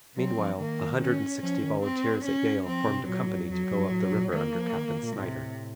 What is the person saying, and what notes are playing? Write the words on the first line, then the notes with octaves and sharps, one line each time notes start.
Meanwhile a hundred and sixty volunteers at Yale formed a company to go up the river under Captain Snyder.
F#3 C4
F3
D#3 A#3
C#4
F3 C#4
D#3
C4
C#4
F3 C4
C3
A#2 F#3
A2
F#2
F2 F#3
F#2
A2
A#2
D#3 A#3
F3
D#3
D#3
A#2
A2 C3